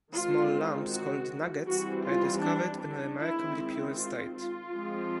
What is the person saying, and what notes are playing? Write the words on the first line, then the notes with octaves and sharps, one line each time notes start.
Small lumps, called nuggets, are discovered in a remarkably pure state.
D#3 G#3 C4 F4
F#4
E3 G3 C4 F#4
F4
D4
D4
D#3 G#3 C4 E4
F4
F4
F3 G#3 C4